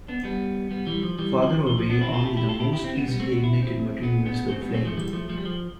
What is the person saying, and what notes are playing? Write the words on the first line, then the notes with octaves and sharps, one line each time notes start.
Farther away, only the most easily ignited materials will flame.
B3 D4
G3 B3
G3 B3
E3 G3
F3
E3 G3
F3
E3
F3
B3 D4
C4 E4
F4 A4
E4 G4
E4 G4
F4 A4
E4 G4
E4 G4
C4 E4
B3 D4
G3 B3
A3 C4
B3 D4
E4
D4
C4 E4
B3 D4
B3 D4
A3 C4
G3 B3
A3 C4
F3 A3
E3 G3
F3 A3
F3 A3
G3
F3